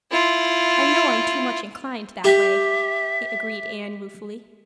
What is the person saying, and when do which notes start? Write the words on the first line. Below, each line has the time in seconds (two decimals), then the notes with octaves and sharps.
"I know I'm too much inclined that, way" agreed Anne ruefully.
0.11 E4 F4
2.24 G4 E5